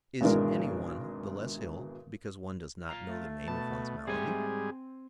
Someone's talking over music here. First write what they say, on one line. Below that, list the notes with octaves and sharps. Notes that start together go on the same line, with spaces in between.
Is any one the less ill because one does not know the name of one's malady?
G#1 B2 E3 G#3 D4 A#4
F4 F5 A#5
A3
B2 A5
G#2 G3 C4 G#4 G#5